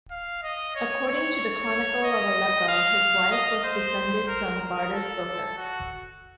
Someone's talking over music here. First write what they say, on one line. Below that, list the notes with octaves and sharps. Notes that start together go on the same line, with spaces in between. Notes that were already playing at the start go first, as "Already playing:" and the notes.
According to the Chronicle of Aleppo, his wife was descended from Bardas Phokas.
F5
D#5
C#5
C#5
D#5
F5
D#5
C5
A#4
A#4
A4
F#4